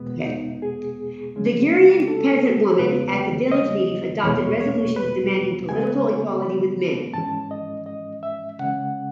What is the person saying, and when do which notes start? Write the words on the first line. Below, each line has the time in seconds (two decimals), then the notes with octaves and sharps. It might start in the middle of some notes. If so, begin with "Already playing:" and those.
The Gurian peasant women at village meetings adopted resolutions demanding political equality with men.
Already playing: E2 B2 G#3 B3
0.26 D#4
0.62 G#4
1.35 C#3 G#3 C#4
2.08 A4
2.79 E2 C#3 G#3 B3 B4
3.52 D#5
4.24 E2 B2 G#3 B3 C#5
4.60 C#5
4.96 B4
5.69 C#3 G#3 B3 G#5
6.42 B5
7.14 G#2 E3 G#3 C#4 A5
7.51 D#5
7.86 D#5
8.23 E5
8.59 C#3 G#3 C#4 F#5